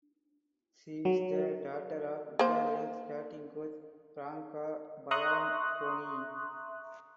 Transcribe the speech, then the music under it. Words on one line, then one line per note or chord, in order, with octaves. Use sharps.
She is the daughter of Italian skating coach Franca Bianconi.
F#3
A#3 C5
E5 A#5 C6 C#6 D#6 F#6